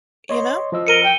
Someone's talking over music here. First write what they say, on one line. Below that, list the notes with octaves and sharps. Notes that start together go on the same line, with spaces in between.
you know?
C#5 D#5 C6
F3 D#5 E6
A#4 C#7 D#7 G7
G5